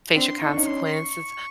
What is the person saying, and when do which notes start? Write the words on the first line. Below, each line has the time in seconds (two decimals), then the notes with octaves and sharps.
face your consequences,
0.16 C4 D4 C6
0.41 D#4 C#6
0.48 D4
0.57 C#4 D#4
0.67 C6
0.84 C6
0.93 C#6